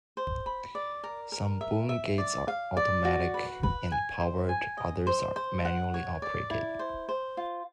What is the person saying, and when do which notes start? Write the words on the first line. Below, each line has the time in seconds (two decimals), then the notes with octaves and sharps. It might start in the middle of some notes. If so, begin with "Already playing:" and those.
Some boom gates are automatic and powered, others are manually operated.
0.17 C5
0.46 B5
0.75 D5
1.04 A#4
1.32 A#4
1.61 E5
1.89 E5
2.18 D5
2.48 F5
2.77 D5
3.05 F#4
3.34 B4
3.63 B4
3.92 G#5
4.20 C5
4.49 G#5
4.78 D#5
5.07 C5
5.36 C5
5.65 F#5
5.94 C#5
6.22 D5
6.50 E4
6.79 C5
7.09 C5
7.37 F4